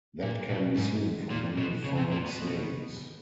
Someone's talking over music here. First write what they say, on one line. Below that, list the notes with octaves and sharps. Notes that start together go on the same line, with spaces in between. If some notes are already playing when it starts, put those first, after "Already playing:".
That can be seen from many farm sayings.
A#2
B2
G#2
A#2
B2
C#3
C3
A#2
B2